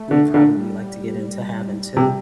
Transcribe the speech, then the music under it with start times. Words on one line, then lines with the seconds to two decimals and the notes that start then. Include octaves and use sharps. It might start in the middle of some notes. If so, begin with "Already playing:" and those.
we'd probably like to get into having too.
Already playing: A3
0.11 D3
0.34 D3
0.57 G3
1.97 C3